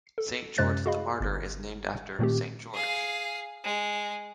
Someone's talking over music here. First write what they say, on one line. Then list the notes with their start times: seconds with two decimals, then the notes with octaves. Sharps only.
Saint George the Martyr is named after Saint George.
0.18 A4
0.58 F#2 C3 G#3 C5 F#6 A6
0.86 F#4 G#4 D#5 F5 B5
1.21 G1
2.19 A#2 D#3 A3 C4 G4
2.74 G#4 F5
3.64 G#3